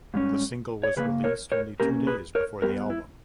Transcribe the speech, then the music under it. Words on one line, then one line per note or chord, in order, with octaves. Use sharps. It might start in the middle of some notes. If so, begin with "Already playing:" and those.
The single was released only two days before the album.
G#2 G3 C#4
C#5
C#3 G3 A#3 G#4 B4
A#4 C#5
A#4 C#5
B2 A#3 C#4 G4 A#4
G#4 B4
A#4 C#5
G2 G3 B3 G4 A#4
E4